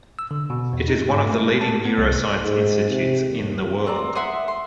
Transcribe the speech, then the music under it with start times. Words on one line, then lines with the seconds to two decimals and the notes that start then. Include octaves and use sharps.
It is one of the leading neuroscience institutes in the world.
0.19 E6
0.31 D3
0.50 B2
0.73 E2
0.88 D#4
1.09 G#2
1.26 A3
1.38 G#3
1.61 A5
1.85 B3
1.98 C2
2.43 G#2
2.90 C3
3.29 D#2
3.87 C4 D5 A#5
4.15 E5 F#5 C6 D#6
4.48 C6